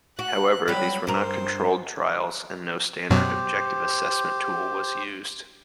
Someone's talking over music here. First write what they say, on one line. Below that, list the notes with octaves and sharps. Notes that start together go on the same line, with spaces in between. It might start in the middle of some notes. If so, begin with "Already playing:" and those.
However these were not controlled trials and no standard objective assessment tool was used.
F#4 F#6
F#3 G3 B5
G2 A#4 C5
F#2 B2 F#3 G4 C5